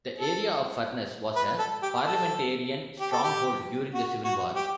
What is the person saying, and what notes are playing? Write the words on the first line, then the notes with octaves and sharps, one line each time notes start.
The area of Furness was a Parliamentarian stronghold during the Civil War.
A4
B4
A4
G4
A4
G4
A4
G4
F#4
F#4
G4